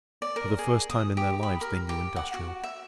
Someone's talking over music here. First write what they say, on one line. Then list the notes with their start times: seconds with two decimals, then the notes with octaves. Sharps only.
For the first time in their lives they knew industrial peace.
0.22 D5
0.36 A#4
0.59 G#4
0.90 D#6
1.17 G4
1.43 B5
1.61 A#4
1.89 G4
2.16 F#5
2.34 F#4
2.63 E5